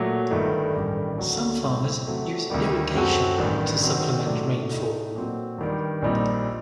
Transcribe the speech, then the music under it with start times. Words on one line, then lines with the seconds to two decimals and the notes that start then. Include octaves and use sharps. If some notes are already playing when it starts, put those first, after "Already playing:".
Some farmers use irrigation to supplement rainfall.
Already playing: A#2 F#3 A3
0.30 G1 G2 D#3 A3 D#4
0.74 A1 G2 D#3 G3
1.18 D2 D3 F#3
1.63 A2 G3 C4
2.07 C3 F#3 A3
2.50 D2 C3 D#3 G3
2.95 F#2 F#3 C4 F#4 A4
3.38 A1 G2 D#3
3.83 D#3 F#3 C4
4.26 A2 F#3 A3 D4
4.71 A2 A3 D#4
5.15 A#2 F#3 C4
5.58 G2 D#3 G3
6.02 A#1 A#2 G3 C4 D#4